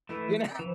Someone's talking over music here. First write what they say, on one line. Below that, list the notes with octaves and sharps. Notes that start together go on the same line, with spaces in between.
you know?
E3 A3 E4
E3 F3